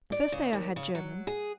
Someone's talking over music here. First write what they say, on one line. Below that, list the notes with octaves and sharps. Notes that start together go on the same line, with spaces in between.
The first day I had German.
D5
C#3
D#2
C#3
F#3
G#4